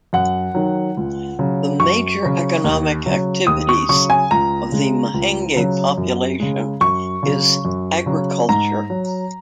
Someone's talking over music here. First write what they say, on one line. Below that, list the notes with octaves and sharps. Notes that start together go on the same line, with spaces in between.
The major economic activities of the Mahenge population is agriculture.
F#2 F#5
D#3 F#3
C#2
C#3 F#3
F#2 C#6
C#3 F#3
D#2
C#3 F#3
D#2 D#6
C#6
C#3 F#3 C#6
G#5
C#2 A#5
C#3 G#3
C#2
C#3 F#3
F#2
C#3 G#3
F#2 C#6
C#3 F#3
F#2
C#3 F#3
G#2 A#5
F#3